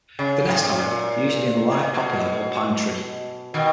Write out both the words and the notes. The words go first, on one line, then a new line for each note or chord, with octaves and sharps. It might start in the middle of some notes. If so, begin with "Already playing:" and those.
The nest hole, usually in a live poplar or pine tree.
C#3
G#2
A#2
G#2
A#2
B2
A#2
B2
B2 D#3